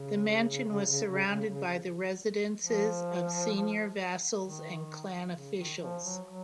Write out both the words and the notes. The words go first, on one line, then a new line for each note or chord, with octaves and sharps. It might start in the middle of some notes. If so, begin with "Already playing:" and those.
The mansion was surrounded by the residences of senior vassals and clan officials.
Already playing: C#3
F3
D#3
C#3
D#3
F3
F#3
F#3